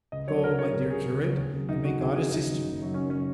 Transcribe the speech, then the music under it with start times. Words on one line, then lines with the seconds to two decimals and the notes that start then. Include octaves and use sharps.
"Go, my dear curate, and may God assist you!"
0.12 C#2 D#5
0.27 C#3 F#3 C#5
0.43 C#2 A#4
0.59 C#3 F#3 C#5
0.74 C#2 A#4
0.90 C#3 F#3 G#4
1.06 C#2
1.22 C#3 F#3
1.38 D#2
1.53 C#3
1.58 F#3
1.69 D#2 D#4
1.85 C#3 F#3 F#4
2.00 D#2 G#4
2.16 C#3 F#3 G#4
2.32 D#2 D#4
2.48 C#3 F#3
2.63 F#1
2.79 F#2 F#3
2.94 F#1 C#4
3.10 F#3 C#4